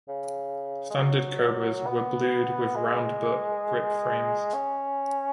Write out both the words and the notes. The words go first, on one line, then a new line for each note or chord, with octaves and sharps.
Standard Cobras were blued with round-butt grip frames.
C#3
G#3
F#3
B3
G#3
C#4